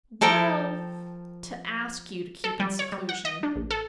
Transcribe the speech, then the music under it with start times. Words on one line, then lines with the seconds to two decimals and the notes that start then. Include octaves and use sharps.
"Well--to ask you to keep in seclusion."
0.21 F3 A4 A#4 G5
2.44 A4
2.60 G3
2.79 C#5
2.92 G3
3.09 F#5
3.25 D#5
3.43 D4
3.56 A#1
3.71 A4